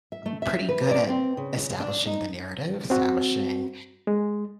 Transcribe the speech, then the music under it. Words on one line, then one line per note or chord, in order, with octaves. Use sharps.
m pretty good at establishing the narrative, establishing,
E5
A3
E5
B4
D5
C4
C#3
D4
D#4
C4 F#4
G#3